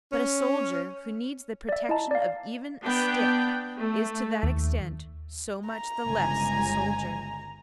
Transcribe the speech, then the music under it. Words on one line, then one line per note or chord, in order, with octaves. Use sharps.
But a soldier, who needs the protection of even a stick, is to that extent so much the less a soldier.
C#4
D5 E5
E4 D#5 A5 A#5
D5 F5
B3 D4 G5
A3
D#2
A#5
G1 C#2 G#5